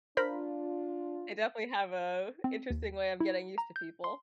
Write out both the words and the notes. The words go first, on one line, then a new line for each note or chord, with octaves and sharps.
I definitely have a interesting way of getting used to people.
D4 F4 A#4 C5 B5
C4
D#2
E4
A#5
G6
C6